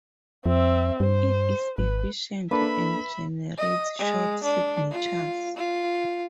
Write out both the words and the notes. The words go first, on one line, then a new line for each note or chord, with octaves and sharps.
It is efficient and generates short signatures.
F2 C4 E5
G2 C5
G#1 B4
A#3 D4 A4 B4 E5 B5
D#5
G#3
D4
F4
F4